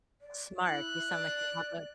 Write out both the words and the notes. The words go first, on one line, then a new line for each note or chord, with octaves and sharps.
Smart. You sound like you have a
D5
E4 F#6
D5